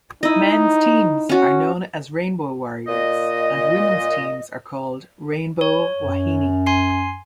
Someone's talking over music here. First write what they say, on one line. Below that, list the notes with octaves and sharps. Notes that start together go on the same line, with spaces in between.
Men's teams are known as Rainbow Warriors, and women's teams are called Rainbow Wahine.
D#4 E4 D#5
C#4 F#4
A#2 D#5
C#5
F#2
G#5 C6 C7